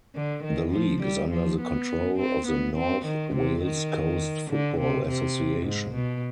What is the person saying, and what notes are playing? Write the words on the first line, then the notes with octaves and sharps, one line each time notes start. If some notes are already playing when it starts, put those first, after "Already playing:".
The league is under the control of the North Wales Coast Football Association.
D3
D#3
F3
G3
F3
B3
C4
B3
C4
D#3
C3
D#3
D3
C3
C3
G#2
B2